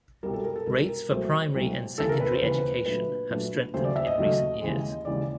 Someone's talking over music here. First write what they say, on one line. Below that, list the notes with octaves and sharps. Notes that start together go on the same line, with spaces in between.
Rates for primary and secondary education have strengthened in recent years.
C2 B2 G3 A#4
A4
A#4
A4
C2 B2 G3 A#4
A#4
C2 B2 F#3 A3 C5
C2 B2 F#3 A3
D#2 C#3 E3 A4
A#4
B4
C5
D#2 C#3 E3 B4
A#2 F#3 A3 D4 B4
A#2 F#3 A3 D4
D#2 C#3 F#3 A3 C5
D5
E5
D#5
D#2 C#3 F#3 A3
D#2 C#3 E3 G#3
D#2 C#3 E3 G#3 D5